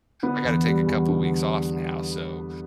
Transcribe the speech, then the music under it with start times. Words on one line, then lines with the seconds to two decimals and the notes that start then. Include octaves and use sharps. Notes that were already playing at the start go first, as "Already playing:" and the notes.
"I gotta take a couple weeks off now," so
0.23 D3 B3
0.44 E2
0.66 G3
0.87 E2
1.08 D3